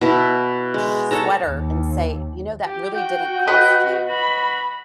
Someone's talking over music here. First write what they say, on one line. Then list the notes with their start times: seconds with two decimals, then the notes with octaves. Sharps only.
sh sweater and say, "You know, that really didn't cost you
0.01 B2 E4
0.74 G#3
1.11 A4 C#5 A#5
1.45 D#2
2.66 G4
2.96 F#4 G5
3.47 B4 D#5
4.08 F#4 B5